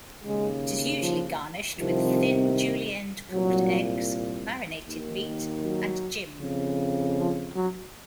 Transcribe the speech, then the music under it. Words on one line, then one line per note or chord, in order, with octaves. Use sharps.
It is usually garnished with thin julienned cooked eggs, marinated meat, and "gim".
D#2 C#3 G#3
F3
C2 C3 D#3 F3
C2 A#2 F#3
D#2 D#3
F#3
F2 C#3
F3
F#3